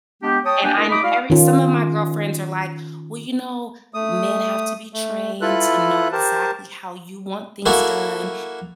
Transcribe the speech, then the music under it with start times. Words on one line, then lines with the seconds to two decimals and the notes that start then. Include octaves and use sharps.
and I every some of my girlfriends are, like, "Well, you know, men have to be trained to know exactly how you want things done."
0.22 G#3 B3 D4 G4
0.45 C#5 G5 A5 D#6
0.63 A#3 D4 G4 B4 G5 G#5
0.76 D4 E4 A#4 D#5
0.89 A3 D#4 D#5 B5 D6 D#6
1.02 E4 F#4 D5 F5
1.30 D#3 C#4 F4
3.94 A3 D#6
4.93 A3
5.41 E4 F4 A4 B4 F#6
6.12 G4 A#4 C5 A5
7.66 A#3 E4 F#4 A4